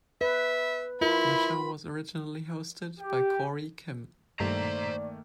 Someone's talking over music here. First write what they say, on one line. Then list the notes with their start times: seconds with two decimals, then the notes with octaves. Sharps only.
The show was originally hosted by Cory Kimm.
0.21 B4 E5
1.01 E4 F4 A#4 B5
3.00 G4
4.40 G2 D#3 A3 A#3 C5 D5 A#5